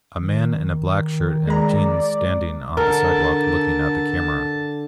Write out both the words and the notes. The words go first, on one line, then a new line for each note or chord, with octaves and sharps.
A man in a black shirt and jeans standing on the sidewalk looking at the camera.
D#3
G#3 D5 A#5
D3 A#4 A5